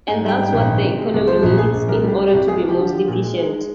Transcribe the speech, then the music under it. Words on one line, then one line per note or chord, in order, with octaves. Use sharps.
And that's what the economy needs in order to be most efficient.
G#2 G#5
G3 G5
G#2
A#1 G5
D#3
C3
G#3
C2
F3 C5
A#1
A#1 G#4
A#1
C2 A#4
G3 G4
G3
G4
C2
G#3 G#4
F3 G4
D3
F3 G4
A#2
G#3
G#3
G#3